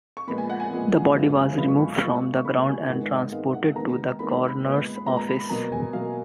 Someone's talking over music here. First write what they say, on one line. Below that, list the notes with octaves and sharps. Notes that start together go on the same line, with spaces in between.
The body was removed from the ground and transported to the coroner's office.
C#6
A#2 F3 G#3 B3 B5
G#5
F#5
G#5
A#2 F3 G#3 B3
F#2 C#3 F3 G#3 B3
F#2 C#3 F3 G#3 B3 B5
C#6
B5
A#2 G#3 B3 C#6
C#6
A#2 G#3 B3 B5
G#5
G#2 D#3 G#3 B3 F#5
D#5
G#2 D#3 G#3 B3 F5
F#5
D#2 D#3 G#3 B3 A#5
D#2 D#3 G#3 B3 B5
B5
B5
A#2 G#3 B3
B5
B5
A#2 G#3 B3 A#5
A#5
B5
B5
B2 F#3 A#3 A#5
G#5
B2 F#3 A#3 F5